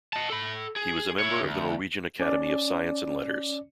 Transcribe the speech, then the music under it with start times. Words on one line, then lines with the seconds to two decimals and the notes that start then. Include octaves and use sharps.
He was a member of the Norwegian Academy of Science and Letters.
0.13 D#5 A5
0.30 A4 B5
0.76 G#4
1.19 E4 C#5
1.42 D2
2.20 C#4 D5